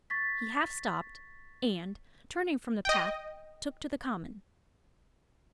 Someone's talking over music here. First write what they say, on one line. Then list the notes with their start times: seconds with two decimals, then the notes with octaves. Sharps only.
He half stopped, and, turning from the path, took to the common.
0.10 C#6 A6 B6
2.85 D#5 G5